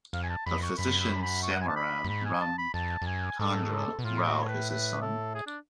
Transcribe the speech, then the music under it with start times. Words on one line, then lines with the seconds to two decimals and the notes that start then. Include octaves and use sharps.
The physician Samaram Ramachandra Rao is his son.
0.13 F2 F5
0.23 G#5
0.29 A5
0.46 F2 B5
0.63 C#6
0.78 F#2 B5
1.01 B5
1.22 B5
1.43 C#6
1.53 F#5
1.61 G#5
1.69 A5
1.76 B5
2.04 F#2
2.09 G#2 B5
2.25 G#5
2.41 A5
2.58 B5
2.74 F2 A5
3.02 F2
3.06 F#2 G#5
3.39 G#2 A4
3.99 B2
4.04 A2 F4
4.26 F#4
4.42 C#5
4.48 B4
4.70 B4
5.02 A4
5.35 G#4
5.47 D4